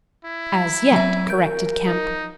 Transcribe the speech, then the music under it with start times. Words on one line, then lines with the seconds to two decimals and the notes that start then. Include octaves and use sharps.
"As yet," corrected Kemp.
0.25 E4
0.92 F#3 C4 E5
1.29 A#4 G6 D7
1.86 D#4